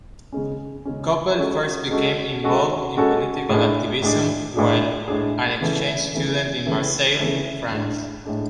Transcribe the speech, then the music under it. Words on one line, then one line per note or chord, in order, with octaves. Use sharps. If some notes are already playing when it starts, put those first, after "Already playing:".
Koppel first became involved in political activism while an exchange student in Marseille, France.
C#3 G#3 C#4
C#3 G#3 C#4
G#3 C#4 F#4 A4
G#3 C#4 F#4 A4
G#3 C#4 F#4 A4
G#3 C#4 F#4 A4
A2 G#3 D4 G#4
A2 G#3 D4 G#4
A2 G#3 D4 G#4
A2 G#3 D4 G#4
C#3 E3 A3
C#3 E3 A3
C#3 E3 A3
C#3 E3 A3
A2 G#3 D4
A2 G#3 D4